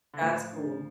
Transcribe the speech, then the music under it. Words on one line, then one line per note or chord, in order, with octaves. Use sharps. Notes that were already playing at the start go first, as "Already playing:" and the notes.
That's cool.
D3
A2 F3
D4